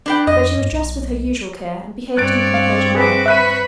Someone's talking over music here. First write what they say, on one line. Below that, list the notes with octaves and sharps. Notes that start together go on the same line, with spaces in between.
But she was dressed with her usual care and behaved in a composed manner.
D4 B4 G5
F2 D#5
G2
B1
G2 C4 C#5 D5 F#6 A6 D7
F5
F#4 G#4 B4 E5 D6
B4 E5 B5 C#6 F#6 D#7